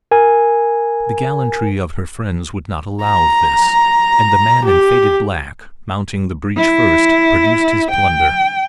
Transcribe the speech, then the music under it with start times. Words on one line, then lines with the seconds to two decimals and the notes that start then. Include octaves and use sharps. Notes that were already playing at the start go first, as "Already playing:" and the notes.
But the gallantry of her friends would not allow of this; and the man in faded black, mounting the breach first, produced his plunder.
0.11 A#4 G#5
3.02 A#5
4.64 G4
6.56 E4
7.91 G5